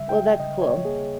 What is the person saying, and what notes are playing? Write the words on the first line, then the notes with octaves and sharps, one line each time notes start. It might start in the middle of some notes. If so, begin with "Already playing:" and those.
Well, that's cool.
Already playing: C#3 G3 E5
G5
C#3 D#5
C#5
A#3 G#4